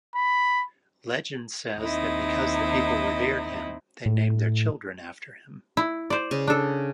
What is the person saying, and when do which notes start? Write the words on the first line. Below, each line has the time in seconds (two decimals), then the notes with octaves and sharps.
Legend says that because the people revered him, they named their children after him.
0.15 B5
1.77 D#2 C4 D#4 E4 D#5
4.06 A2
5.77 E4
6.10 C5 D5
6.31 C#3
6.47 D4 A4